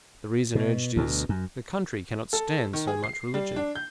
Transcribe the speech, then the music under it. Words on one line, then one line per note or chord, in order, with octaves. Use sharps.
The reason urged is--the country cannot stand so much religion!
B2
D2 B2
F#2
A4
D#3
G#4
C7
G3
D4
G6